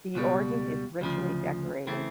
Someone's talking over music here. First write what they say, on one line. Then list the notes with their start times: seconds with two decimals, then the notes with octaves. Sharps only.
The organ is richly decorated.
0.15 C#2 B2 G3
1.01 D2 C#3 F3
1.87 C#3 E3 A3 C4